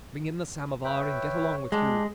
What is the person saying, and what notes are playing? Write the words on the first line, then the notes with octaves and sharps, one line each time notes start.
Bring in the samovar, and get along with you.
B4 C#5 E5 G5
G#3 D4 G4